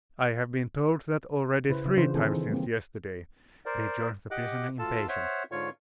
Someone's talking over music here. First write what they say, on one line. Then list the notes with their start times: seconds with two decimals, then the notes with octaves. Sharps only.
"I have been told that already three times since yesterday," rejoined the prisoner impatiently.
1.70 C#3 E4 B4 C5
1.85 C#3
1.97 C#3 E3 D4 F4 B4 C5
2.13 D#3 C4 E4 G#4 A4 B4
2.28 E3 C5
2.49 G3 A#3 C4
3.66 A#4 C5 D5
4.31 G4 D#5 F#5 D6 F#6
4.79 D2 F4 A4 A5
5.08 C5 C#5 E5 F#5
5.52 G#2 D3 F4 C#5 C#6